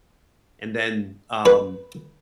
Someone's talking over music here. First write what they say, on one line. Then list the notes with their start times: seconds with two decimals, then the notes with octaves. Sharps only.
and then, um,
1.46 B4